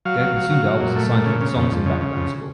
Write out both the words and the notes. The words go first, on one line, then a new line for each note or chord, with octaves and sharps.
Gopi Sundar was assigned for the songs and background score.
F#3 F5
F#3
F#3
F#3
F#3
A#2
A3
A#2
C#3
C#3
F2
F2
C#3
C#3
F2